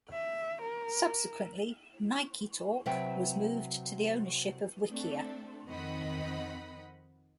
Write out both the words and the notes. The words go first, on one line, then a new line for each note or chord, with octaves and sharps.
Subsequently NikeTalk was moved to the ownership of Wikia.
E5
A#4
C3 F#3 B4 E5 G5
A3 C4 D4 A4
F2 D#3 C4 D#5 F#5 B5